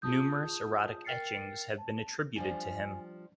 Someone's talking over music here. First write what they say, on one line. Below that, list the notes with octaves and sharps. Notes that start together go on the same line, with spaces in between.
Numerous erotic etchings have been attributed to him.
F4 G#4 A5 D#6 G6
A#4 G5 F6 A6 C7 C#7
A5
F3 G3 D4 G#5